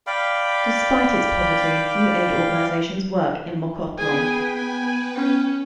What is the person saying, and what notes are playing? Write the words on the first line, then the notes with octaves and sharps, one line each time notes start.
Despite its poverty, few aid organizations work in Mokhotlong.
D5 F5 G5 B5
B3 G#4 B4 G5 G#5
G#5
C#4